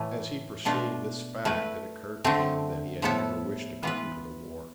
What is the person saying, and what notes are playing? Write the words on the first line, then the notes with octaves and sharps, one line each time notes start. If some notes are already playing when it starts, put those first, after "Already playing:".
As he perceived this fact it occurred to him that he had never wished to come to the war.
Already playing: A2 E3 A3
B2 A3 D4 F4
A3 E4 B4
D3 A3 C4
A2 F3 B3 E4 A4
E3 B3 F4 B4